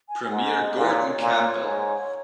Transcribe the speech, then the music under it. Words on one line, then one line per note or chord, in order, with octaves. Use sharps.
Premier Gordon Campbell.
G#5
G#5
G#2 F#5
D#5
A#2
B4
C#5
A#2
G#2